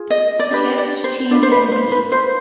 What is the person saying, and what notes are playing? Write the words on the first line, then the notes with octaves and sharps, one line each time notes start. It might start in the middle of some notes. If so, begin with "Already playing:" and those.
Chips, cheese and peas.
Already playing: F4 G#4
D#5
D5
D4 G4 B4 D#5
D5
C5
D4 F4 B4 D5
C5
B4
C5
B4
F4 B4 C5